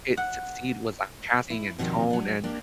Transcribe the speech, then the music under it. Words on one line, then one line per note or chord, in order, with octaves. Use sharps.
it succeed was, like, casting, and tone, and
F#5
E4
D#2 B2 D#3 F3 G3 C4
F#3 D4
A#3 D4 G4